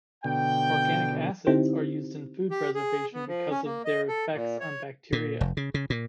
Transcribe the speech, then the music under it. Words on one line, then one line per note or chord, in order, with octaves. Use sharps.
Organic acids are used in food preservation because of their effects on bacteria.
B2 D3 G5
D3 C4 D#4 E4 G4 C5
G4
G#4
B3
F3
C#4
A#3
D#5
A4
A#2
C#5
A#2
F1
C#3
C#3
A#2